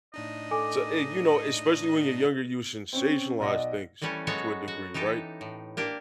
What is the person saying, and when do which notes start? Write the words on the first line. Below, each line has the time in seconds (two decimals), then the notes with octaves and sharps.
to a you know, especially when you're younger, you sensationalize things to a degree, right?
0.14 A2 D4 D#4 D#5
0.51 A4 G#5 D6
2.93 C4 C#4
3.40 B1 D5 D#5 F#5 A#6
4.02 E3 G3 A3 C#4
4.27 F#3 G#3 B3 F#4 A4 C#5
4.68 F#4
4.94 E3 D#4 G4 A4
5.41 A2
5.77 A#3 D4 G4